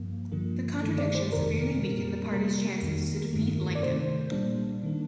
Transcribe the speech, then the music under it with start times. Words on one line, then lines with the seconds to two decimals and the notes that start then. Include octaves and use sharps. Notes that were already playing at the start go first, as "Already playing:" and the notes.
The contradiction severely weakened the party's chances to defeat Lincoln.
Already playing: G2 F3 A#3
0.32 G2 D3 F3 A#3
0.82 G2 D#3 A3
0.98 D5
1.15 C5
1.32 F2 C3 D#3 A#4
1.82 A#2 G3 A#3
2.32 C3 G3 A#3 A#4
2.82 F2 D#3 A#3
3.33 G2 D#3 A3
3.75 D5
3.82 C3 D#3 A3 C5
4.32 A#2 G3 A#3 D4
4.83 D#3 A#3